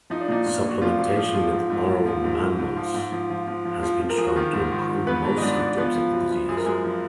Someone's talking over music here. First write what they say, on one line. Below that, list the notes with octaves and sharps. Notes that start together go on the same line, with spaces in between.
Supplementation with oral mannose has been shown to improve most symptoms of the disease.
F3 D#4
D4
A#2 D#4
A#2
A#2
F#4
A#2 F3 F4
A#2
F3
F3
G#2
G#2
G#2
F3
G#2
G#2
G#2
F3
G#2
F3
F3
F3
F3
F3
F3
A#4
F3 G#4
F#4
D#3 F3 F4
G#2
D#3
G#2
G#2 B3 B4
G#2
D#5
G#2 D4 D5
G#2
F3 B3 B4
F3
F#2
F3
F#2 G#4
A#4
F#2 G#3 G#4
F3